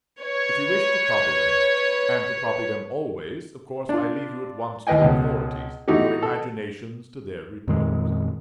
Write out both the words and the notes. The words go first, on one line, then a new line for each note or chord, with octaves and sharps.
If you wish to copy them, and to copy them always, of course I leave you at once to your authorities, and your imaginations to their repose.
B4 C#5
D4 F4
D#2 E3 B4 D#5 G5 G#5
C#2 B2
E3 A3 D#4 F#4 G4
A4
F2 A#2 D#3 G#3